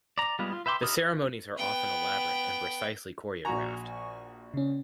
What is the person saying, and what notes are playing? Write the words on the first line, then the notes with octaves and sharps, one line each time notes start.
The ceremonies are often elaborate and precisely choreographed.
D5 A#5
G3 G#3 B3 F4
F4
B4 E5 G5 C6 D6
D#4 E4 G4 D#6 F6
B3 G5
A#1 F#4 G#5 A#5 C#6
C#3 C#4